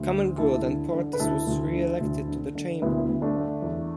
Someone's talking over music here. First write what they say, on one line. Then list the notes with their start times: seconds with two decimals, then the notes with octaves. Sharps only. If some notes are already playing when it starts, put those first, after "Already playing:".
Common Good and Portas was re-elected to the Chamber.
Already playing: D2
0.11 D3
0.38 D2 E4 A4
0.65 D3
0.93 D3
1.13 B4
1.20 D2 E4 A4
1.47 D2
1.73 D3
2.00 D2
2.28 D3
2.55 D3
2.82 D2 B3 E4
3.09 D2
3.22 A3 D4
3.36 D3
3.62 E2